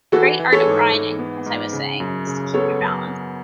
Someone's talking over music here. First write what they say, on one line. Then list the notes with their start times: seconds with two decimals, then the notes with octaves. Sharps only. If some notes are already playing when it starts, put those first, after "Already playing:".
The great art of riding, as I was saying, is to keep your balance.
0.12 E3 F#4 A4
0.39 E3
0.52 A4 C#5
0.66 G#2
0.93 E3
1.19 B3
1.46 G#2
1.73 C#3
2.00 F#2
2.27 C#3
2.54 B3 A4 C#5
2.80 F#2
3.08 B3